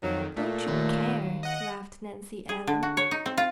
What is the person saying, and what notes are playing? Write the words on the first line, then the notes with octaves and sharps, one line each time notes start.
"Don't you care," laughed Nancy Ellen.
F2 D#3 F#3
A#2 A3
D#2
D#5 F#5
G#4
D3
F#4
C#5
D#4
C4
F4